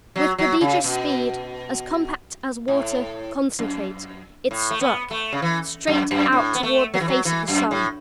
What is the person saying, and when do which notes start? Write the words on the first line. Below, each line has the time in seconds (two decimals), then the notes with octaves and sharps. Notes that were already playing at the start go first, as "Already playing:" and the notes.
With prodigious speed, as compact as water, CONCENTRATE, it struck--straight out toward the face of the sun.
0.16 F#3
0.38 F#3
0.61 C#3
0.84 B2
2.68 A2
3.59 F#2
4.51 A2
4.71 A3
4.81 B3
5.11 A3
5.32 C#3
5.42 E3
5.87 F#2
6.11 F#2
6.32 A2
6.55 B3
6.63 A3
6.94 F#3
7.00 E3
7.08 F#3
7.25 E3
7.48 F#2
7.71 A2